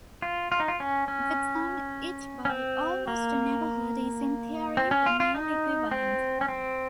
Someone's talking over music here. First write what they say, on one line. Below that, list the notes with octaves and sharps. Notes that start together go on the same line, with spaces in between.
The term "It boy", almost never heard, is in theory the male equivalent.
F4
F4
D#4
F4
C#4
C#4
C#4
C4
A#3
C4
C#4
F4
F4
D#4
C4
C#4
C4